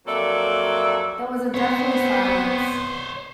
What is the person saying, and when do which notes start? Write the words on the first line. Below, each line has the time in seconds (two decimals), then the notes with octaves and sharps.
There was a deathly silence.
0.06 F2 F#3 A#3 A4 D5 E5
1.54 B3 C4 C5 C#5